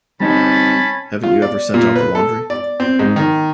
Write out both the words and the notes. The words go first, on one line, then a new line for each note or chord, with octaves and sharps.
Haven't you ever sent out the laundry?
G3 C4 C#4 D#4 A5 B5
F4
D5
A#2
B4
A4
D5
C4
G#2
D#3